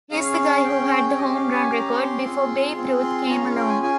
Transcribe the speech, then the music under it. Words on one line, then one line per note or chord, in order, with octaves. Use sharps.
He's the guy who had the home run record before Babe Ruth came along.
C#4 G#4 F5
C#4 G#4 G5
C#5
C#4 G4 D#5
F5
G#5
C#4 G4 A#5
C#6
C6
C4 F4 G#4
C4 F4 G#4
C6
C#4 F4 G#4 A#5
F5
G5
G#5
C#4 F4 G#4 G#5